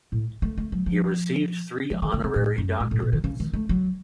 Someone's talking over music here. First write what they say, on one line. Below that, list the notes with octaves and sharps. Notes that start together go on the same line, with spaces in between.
He received three honorary doctorates.
A2
A3
A3
F#3
F3
F3
D#3
C#3
C3
A2
F#2
A2
A2
A#2
D#3
C#3
D#3
A3
F#3